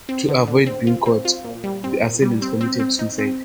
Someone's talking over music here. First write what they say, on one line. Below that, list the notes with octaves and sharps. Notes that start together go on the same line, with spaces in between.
To avoid being caught, the assailants committed suicide.
C4
D3
D3
C4
F4
C4
F4
A#2
G3
C4
A#2
G3
C4
C4
C4
D#4
C4